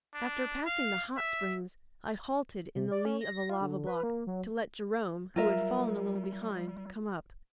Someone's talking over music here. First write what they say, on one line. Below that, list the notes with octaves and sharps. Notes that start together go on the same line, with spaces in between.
After passing the "Hot Springs" I halted in the lee of a lava-block to let Jerome, who had fallen a little behind, come up.
D4
F5
E5
C3
D5
C#4
A#6
F4
D3
B4
A#3
F#3
F#3 G3 F4 A#4 E5